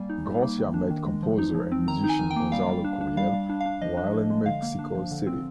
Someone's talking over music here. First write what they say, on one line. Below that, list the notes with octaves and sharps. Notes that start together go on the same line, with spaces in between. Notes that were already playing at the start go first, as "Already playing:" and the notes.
Garcia met composer and musician Gonzalo Curiel while in Mexico City.
Already playing: G3 A#3 G#5
D#4
G3
A#3
D#3
D4
D#3
G#3
F3
D#4
F3
C4
D#3 A#5
D#4
G#5
D#3
G5
A#3
G3 F5
G3
D4
D4
G3 F5
G3
D4
F5
D4
F3 D#5
D4
F3
G#3
D3 F5
A#3
D4
F3
D3
C4